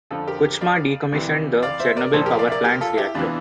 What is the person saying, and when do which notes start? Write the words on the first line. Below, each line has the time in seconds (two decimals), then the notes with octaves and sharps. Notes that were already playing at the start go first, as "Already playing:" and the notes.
Kuchma decommissioned the Chernobyl power plant's reactor.
0.11 F2 D3 F3 F4 A4
0.27 G4 A#4
0.44 G4 A#4
0.61 D5 F5
1.12 C2 C3 E3
1.62 D5 F5
1.80 C5 E5
1.97 A#4 D5
2.13 C2 A#2 F3 A4 C5
2.26 G4 A#4
2.39 D5 F5
2.47 E5
2.52 A#4 D5
2.64 G4 A#4
2.81 F4 A4
2.98 E4 G4
3.14 E2 C3 E3 D4 F4